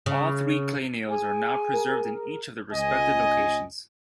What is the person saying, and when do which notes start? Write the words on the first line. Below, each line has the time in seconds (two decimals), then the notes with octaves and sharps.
All three clay nails are now preserved in each of their respected locations.
0.06 C#3
1.08 G#4 G#5
1.73 A#4
2.72 C#2 D#5 G#5